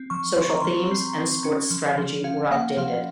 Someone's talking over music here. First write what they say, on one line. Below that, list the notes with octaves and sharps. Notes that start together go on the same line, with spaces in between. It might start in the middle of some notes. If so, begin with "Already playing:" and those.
Social themes and sports strategy were updated.
Already playing: C4
F3 C#6
F3 C6
A#5
F3 C6
C4
C4
C#4
F3
F3
C#4 F5
A#3 F#5
F3 F5